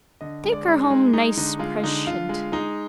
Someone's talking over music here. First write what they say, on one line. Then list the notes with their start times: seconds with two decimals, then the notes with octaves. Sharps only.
Take her home nice preshent.
0.21 D3 D#5
0.44 G#3
0.52 D5
0.68 G#3
0.83 D#4
0.90 G#3
1.13 G#3 D#4
1.37 D3 D#4
1.59 G#3 F4
1.83 D3 D#4
2.07 D3 F4
2.29 G#3
2.52 G#3 D#4